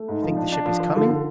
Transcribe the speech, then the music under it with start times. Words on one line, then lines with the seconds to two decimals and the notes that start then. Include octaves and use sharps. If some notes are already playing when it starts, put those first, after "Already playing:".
"You think the ship is coming?"
Already playing: A3
0.08 G#2
0.22 F3
0.36 D4
0.52 D4
0.65 F3
0.80 F3
0.96 D3
1.10 D3